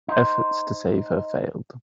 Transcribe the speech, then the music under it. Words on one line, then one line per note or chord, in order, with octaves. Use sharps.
Efforts to save her failed.
D#4 C5